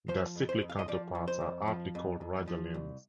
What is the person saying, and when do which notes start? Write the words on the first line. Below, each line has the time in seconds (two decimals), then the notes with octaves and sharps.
Their cyclic counterparts are aptly called radialenes.
0.08 F3 C5
0.35 F2
0.49 C5
0.62 F2
0.70 F5
0.79 D#5
0.88 F3 D5
1.15 F2
1.28 C5
1.41 F2
1.68 F3
1.95 F2
2.21 F2
2.48 F3
2.74 C2